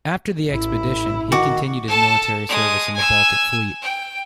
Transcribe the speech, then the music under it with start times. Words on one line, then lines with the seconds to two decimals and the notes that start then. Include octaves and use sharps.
After the expedition, he continued his military service in the Baltic Fleet.
0.49 A1 E4
1.32 D#3 F#4 D6
1.88 A4 A5
2.49 G#3 D#6
2.96 G#5 E6
3.82 G5